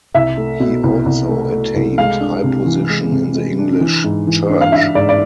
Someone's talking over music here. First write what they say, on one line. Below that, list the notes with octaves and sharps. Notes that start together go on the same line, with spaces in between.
He also attained high position in the English Church.
C2 E5
A3
B2
C2
C2
A3
A3
C2
G#3 F5
D4
C3
E3
G#3
C3
G#3
D4
E3
G#2
E3
D4
F5
D4 E5
G#2 D5
D5